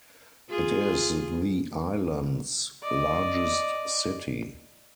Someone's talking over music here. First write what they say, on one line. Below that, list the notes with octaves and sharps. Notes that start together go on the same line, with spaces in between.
It is the island's largest city.
F4 G#4
D5 D#5